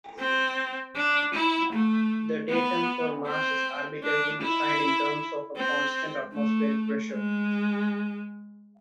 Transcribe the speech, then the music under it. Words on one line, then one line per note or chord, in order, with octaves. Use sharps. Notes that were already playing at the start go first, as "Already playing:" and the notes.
The datum for Mars is arbitrarily defined in terms of a constant atmospheric pressure.
C4
D4
E4
A3
B3
C4
D4
E4
C4
A3
G#3